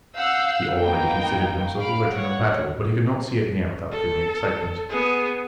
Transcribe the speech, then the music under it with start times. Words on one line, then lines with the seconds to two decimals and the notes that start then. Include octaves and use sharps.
He already considered himself a veteran of battle, but he could not see it near without feeling excitement.
0.16 F5 F#5 E6 G6 C7
0.75 A#3 B3 D#4 G5
1.79 F5 B5 D7
2.09 C#5 F#5
3.91 A4
4.89 B3 G#4